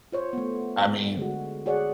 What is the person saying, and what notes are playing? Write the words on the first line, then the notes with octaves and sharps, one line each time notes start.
I mean,
F4 C5 C#5
A3 B3
D3 G#3 F#4
F#4 G#4 C#5 D5 F#5